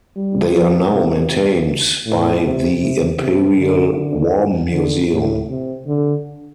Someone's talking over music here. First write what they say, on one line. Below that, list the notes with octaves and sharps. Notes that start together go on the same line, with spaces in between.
They are now maintained by the Imperial War Museum.
G3
F3
C3
A2
C3
C3
C3
D3
D3
D3
A2
C3
D3